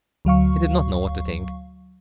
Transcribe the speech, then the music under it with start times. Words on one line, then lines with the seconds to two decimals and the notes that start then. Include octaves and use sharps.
He did not know what to think.
0.25 D2 F#3 F5 C#6